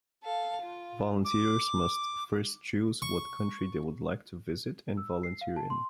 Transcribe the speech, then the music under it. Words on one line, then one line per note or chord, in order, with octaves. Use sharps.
Volunteers must first choose what country they would like to visit and volunteer in.
A4 F5
F4
D6
C#6
E6
C7
F5
A5
C6